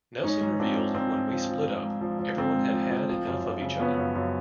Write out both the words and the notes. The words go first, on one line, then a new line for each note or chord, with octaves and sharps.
Nelson revealed when we split up, everyone had had enough of each other.
G#2 C#4 D#4
G#2
F3 C4 D4
F3
G#2 C4
G#2
F3
F3
G#2
G#2
F3
F3
G#2 C4
G#2
F3
F3
F3
F#2
F#2
C#3
F3 B3 C#4
F#2
F#2